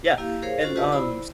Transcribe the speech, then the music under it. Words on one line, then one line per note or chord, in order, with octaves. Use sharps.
Yeah, and, um, s
A#3 E4 G4 F5
G#4 A#4 C5 C#5 F5
C#4 F4 F#4 A4 C5
F4 G4 B4 D#5 A5
E4 C5 D5 B5 E6